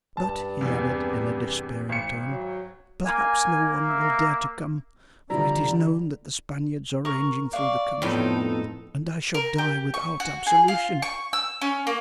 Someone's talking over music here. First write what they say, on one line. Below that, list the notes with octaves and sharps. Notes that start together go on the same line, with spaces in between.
But," he added in a despairing tone, "perhaps no one will dare to come for it is known that the Spaniards are ranging through the country, and I shall die without absolution.
G2 A5
E2 C3 E3
G#1 C#7
F#3
A#3 G#5
E5
D3 F3 G3 E4 D5 A#5
A#4 C#6
D5 F5 C#6
F2 A2 B3 D#4 A4 G5
A#4
G4
C#6
F#4
G#4
F4
C#6
E6
C#4
A#3